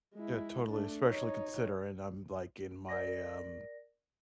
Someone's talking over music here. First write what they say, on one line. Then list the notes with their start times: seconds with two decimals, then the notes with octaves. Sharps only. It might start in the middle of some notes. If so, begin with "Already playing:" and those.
Yeah, totally, especially considering I'm, like, in my, um
0.15 G#3 E4
0.69 A3 D4
1.06 D#4 C#5
2.89 A#4 D5 A#6